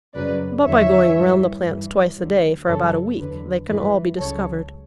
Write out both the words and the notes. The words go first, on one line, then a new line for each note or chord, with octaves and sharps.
But by going round the plants twice a day for about a week they can all be discovered.
F#2 C#3 F#3 B4 D5
E2 D3 F#3 C#5 E5
G2 E3
G2 E3
D2 D3 F#3
F#2 C#3 F#3 A4 C#5
E2 D3 F#3 B4
G2 E3 B4
C#2 C#3 F#3 A4 C#5